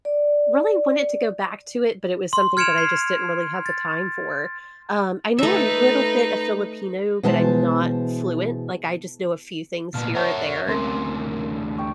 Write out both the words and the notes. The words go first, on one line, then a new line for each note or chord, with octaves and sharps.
really wanted to go back to it, but it was something that I just didn't really have the time for. Um, I know a little bit of Filipino, but I'm not fluent. Like, I just know a few things here or there.
D5
C6
F6 G#6 C#7 D7 E7 F7
C7
A6
A3 D#4 B4 E5
B2 E3 G#3 C5 E5 A5
A#2 B3 A5 F6
A#4 C#5 E5 F#5 A5
D2 C3 C#4 A#4 C6
G5 C#6